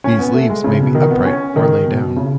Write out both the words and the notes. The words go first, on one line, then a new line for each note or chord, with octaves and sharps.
These leaves may be upright or lay down.
C#4
B3
A3
G#3
C#3
B2
D#3
B3
C#4
D#3
B2
B2
C#3